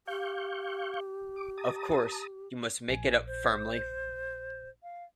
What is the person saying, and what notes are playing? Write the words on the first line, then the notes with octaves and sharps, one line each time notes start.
Of course, you must make it up firmly.
G4 F5 C#6 G6
D6
A5 A#5 D#6
A#1 G#5
C5
F5